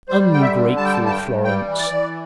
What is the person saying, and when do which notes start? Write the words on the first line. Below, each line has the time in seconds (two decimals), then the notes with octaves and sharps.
Ungrateful Florence!
0.09 G3 C5
0.31 D3 G5
0.42 E5
0.54 D3
0.77 G3 A5
0.85 G5
0.93 A5
0.99 G2
1.06 A5
1.11 G5
1.22 G2
1.44 G3 G5
1.67 E3
1.78 D5
1.90 E3